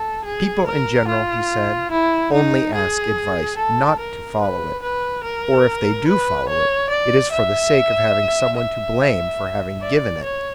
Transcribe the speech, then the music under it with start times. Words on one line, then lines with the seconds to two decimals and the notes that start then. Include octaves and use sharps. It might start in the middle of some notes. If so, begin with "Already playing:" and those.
"People, in general," he said, "only ask advice not to follow it; or if they do follow it, it is for the sake of having someone to blame for having given it."
Already playing: A4
0.25 G#4
0.67 A#4
1.08 F4
1.91 E4
2.33 D#4
2.74 G#4
3.57 A4
3.99 A#4
4.41 B4
4.83 B4
5.23 A#4
6.08 B4
6.49 C#5
6.90 D5
7.32 E5
8.57 E5
9.81 D5
10.24 C#5